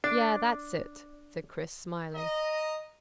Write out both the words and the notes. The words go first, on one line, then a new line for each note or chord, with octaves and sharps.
"Yea, that's it," said Chris, smiling.
D4 D5
D#5 A#5